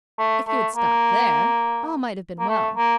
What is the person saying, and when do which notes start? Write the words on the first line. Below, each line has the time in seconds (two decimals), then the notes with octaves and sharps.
If you had stopped there, all might have been well.
0.19 A3
0.48 A3
0.76 A#3
2.39 A#3
2.49 A3
2.77 A#3